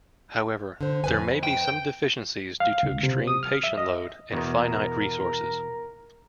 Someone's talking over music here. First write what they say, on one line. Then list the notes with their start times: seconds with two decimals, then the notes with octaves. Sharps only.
However, there may be some deficiencies due to extreme patient load and finite resources.
0.81 D3 C5
1.04 F2 B4 G#5
1.43 G5
2.60 F5
2.83 C#2
3.03 C3
3.27 D#6
3.43 F6
3.64 E5
3.78 D#5
4.32 E2 B2 A#4